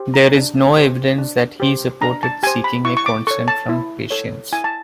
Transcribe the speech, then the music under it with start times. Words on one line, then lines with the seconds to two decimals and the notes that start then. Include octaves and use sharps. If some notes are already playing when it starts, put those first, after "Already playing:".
There is no evidence that he supported seeking a consent from patients.
Already playing: G4 C5
0.14 A#5
0.35 D4
0.77 G4 C5
1.18 D4
1.60 G4 C5
2.01 D4 A#5
2.23 A5
2.43 G4 G#5
2.47 C5
2.64 B5
2.85 E4 C#6
2.97 C#6
3.06 D6
3.27 A4 C#5 C#6
3.48 A5
3.69 E4
4.10 A4 C#5
4.52 E4 G#5
4.64 A5